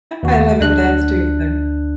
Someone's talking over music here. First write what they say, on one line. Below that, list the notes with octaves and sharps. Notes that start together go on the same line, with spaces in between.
I love it that's too funny.
D#2 F#4
D2 D4 F#6